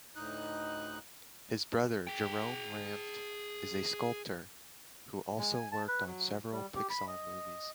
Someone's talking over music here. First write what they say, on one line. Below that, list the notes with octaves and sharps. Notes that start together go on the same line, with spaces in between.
His brother, Jerome Ranft, is a sculptor who also worked on several Pixar movies.
D2 A2 D#4 F#6
G#4 G5
G#3
G#5
A5
B4
F#3
G3
G4
B5
D#5